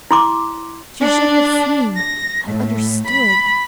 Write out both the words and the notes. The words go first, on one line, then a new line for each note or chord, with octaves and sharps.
She should have seen--have understood.
E4 C6 D6
D4
A#6
A2
B5